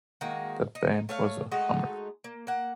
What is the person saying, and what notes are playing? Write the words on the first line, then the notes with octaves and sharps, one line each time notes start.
That band was a "hummer"!
D#3 G#3 A#3 F#4
D#4
A3 C#5 F5
G#3 A3 D#4 F#4
A#3
A#3 F#5